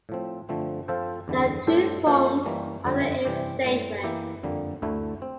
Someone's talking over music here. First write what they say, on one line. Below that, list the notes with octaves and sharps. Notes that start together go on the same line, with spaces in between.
There are two forms of the if statement.
A2 F3 C4
D3 F3 A3 C4
F3 C4 F4 A4 C5
E2 D3 G3
A2 G3 D4 A4 C5
F3 A#3 F4 A4 C5
E3 G3 A#3
F2 D3 G3 C4
C3 E3 G3 C4 G4
A2 G3 C4
E3 A#3 E4 G4
F2 D3 G3 A#3
D2 D3 A3 E4
C4